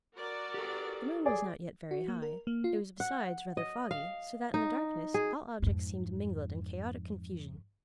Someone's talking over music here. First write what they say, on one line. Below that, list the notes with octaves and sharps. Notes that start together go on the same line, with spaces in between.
The moon was not yet very high; it was besides rather foggy, so that in the darkness all objects seemed mingled in chaotic confusion.
F#4 A#4 D5
G4 A4
G#4 D5
F#4
A#3
A#4
A#3
F4
F#5
D#5
F5
D#4
G#4
F2 G#2